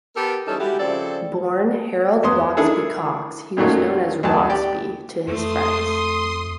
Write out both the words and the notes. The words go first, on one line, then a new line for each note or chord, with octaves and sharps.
Born Harold Roxbee Cox, he was known as 'Roxbee' to his friends.
B3 G4 A4 A#4
E3 G3 C#4 D#4 E4 A4
G3 G#3 E4 F#4 G4
C#3 F3 C4 A4 D5
E2 B3 C6 D#6
D#3 D4 E4 G#4 A4
F2 A#2 D#3 F#3 A3 C#4
D2 F#3 A5
G4 D5
F2 A3 A4 C6 D#6